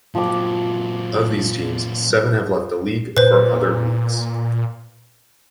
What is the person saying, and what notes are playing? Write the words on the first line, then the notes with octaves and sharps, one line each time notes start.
Of these teams, seven have left the league for other leagues.
A#2 F3 F#3 D6
A#2 B4 C5